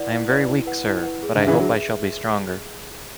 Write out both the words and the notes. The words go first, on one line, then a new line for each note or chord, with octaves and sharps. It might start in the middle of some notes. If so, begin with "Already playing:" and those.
I am very weak, sir, but I hope I shall be stronger.
Already playing: E4 B4 D5 F#5
E4
B4 D5 F#5
E4
B4 F#5
E4
B4 F#5
G#4
D3
B4 E5
C#3 E3
D3 F#3 G#4